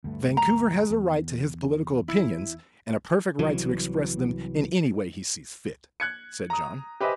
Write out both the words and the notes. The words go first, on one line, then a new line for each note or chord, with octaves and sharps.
"Vancouver has a right to his political opinions, and a perfect right to express them in any way he sees fit," said John.
D2 G2 A3
A#5
E2
E4
C2 E3 F#3
F#6 G#6 C#7
A#5 D#6
G4 B4 C5 D#5 E5 G#5